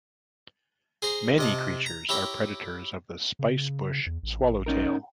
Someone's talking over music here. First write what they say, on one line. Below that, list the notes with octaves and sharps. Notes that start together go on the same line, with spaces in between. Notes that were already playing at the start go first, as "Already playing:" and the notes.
Many creatures are predators of the spicebush swallowtail.
G#4 C5 A#5
C3 D#5 A5
A#5
E4 G4 C#5 G5 A#5
C#3
E2
A1
C#4 D#4 A#4